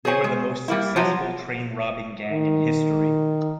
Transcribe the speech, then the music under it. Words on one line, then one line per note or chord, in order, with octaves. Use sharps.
They were the most successful train-robbing gang in history.
G#4 C5 C#5 G#5
G#3
G3 A#3 E4
F3 F#3
D#3